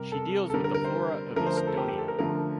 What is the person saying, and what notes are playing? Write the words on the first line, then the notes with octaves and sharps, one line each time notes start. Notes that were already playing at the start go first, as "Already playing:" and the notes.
She deals with the flora of Estonia.
Already playing: C3 G3 A#4
A4
A4
D3 G3 A#4
A#4
A#4
C5
D3 F3 A3 A#4
C5
A#4
A4
G4
G4
A4
A#4
D3 F3 A3 A#4